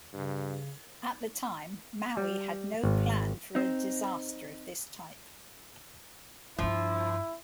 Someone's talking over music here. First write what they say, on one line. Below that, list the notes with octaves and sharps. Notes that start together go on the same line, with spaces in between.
At the time, Maui had no plan for a disaster of this type.
G2 C#3
G3
G#1
C4 D#4
G2 F3 D4 E4